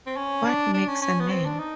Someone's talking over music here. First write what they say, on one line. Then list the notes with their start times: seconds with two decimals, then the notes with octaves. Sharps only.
What Makes a Man?
0.06 C4
0.17 C#4
0.45 D4
0.74 D4
0.88 C#4
1.02 C#4
1.20 B3
1.30 C4
1.45 D4
1.59 D#4